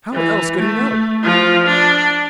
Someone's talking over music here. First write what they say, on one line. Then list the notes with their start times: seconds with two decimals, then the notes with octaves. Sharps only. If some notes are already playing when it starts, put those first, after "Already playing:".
How else could he know?
0.13 E3
0.58 A3
1.23 F3 F4
1.66 D4